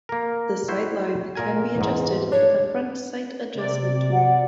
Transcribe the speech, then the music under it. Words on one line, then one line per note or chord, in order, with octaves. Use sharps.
The sight line can be adjusted with a front sight adjustment tool.
A#3 A#4
E4 F#4 C5
A#2 A#4 G#5
E2 G#2
D4 C#5
C3 D5
F#5